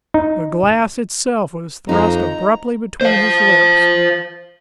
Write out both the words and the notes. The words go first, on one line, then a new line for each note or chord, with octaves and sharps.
The glass itself was thrust abruptly between his lips.
D#4
F2 D#4 A#5
C5 F5